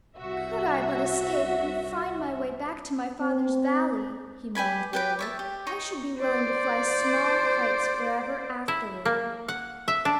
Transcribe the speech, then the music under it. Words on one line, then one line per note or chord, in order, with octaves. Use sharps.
"Could I but escape and find my way back to my father's valley," he moaned, wearily, "I should be willing to fly small kites forever afterward."
C2 F#4 E5
C4
G4 B4 G#5 B5
G4 B4 G5
C#5 E5 A5
G4
D#4 C#5 A#5 C#6
C5 D5
E4
A#3
F#5
E5
D4